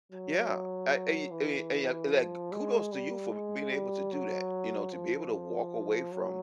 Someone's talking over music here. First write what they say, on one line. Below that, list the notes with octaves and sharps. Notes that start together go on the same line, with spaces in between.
Yeah. I and y and y and y and, like, k kudos to you for b being able to do that. You know, to be able to walk away from
F#3
E3
F3
G#3
G3
G#3
G3
F#3
F3
F#3